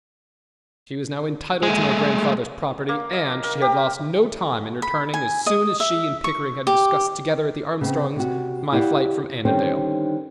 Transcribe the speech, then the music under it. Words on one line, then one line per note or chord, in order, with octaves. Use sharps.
She was now entitled to my grandfather’s property and she had lost no time in returning as soon as she and Pickering had discussed together at the Armstrongs’ my flight from Annandale.
G#3 A3
A#3
D#5
A#4
G4
B5
G#5
D#5
E5
C#6
G4
C#3 B3 C4
C3 F#4
E4 G4 D5 D#5 F5 F#5
D3 D#3 G3 C4 C#4 D#4